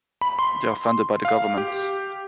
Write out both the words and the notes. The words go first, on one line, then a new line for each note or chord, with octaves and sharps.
They are funded by the government.
B5
C6
F5
G4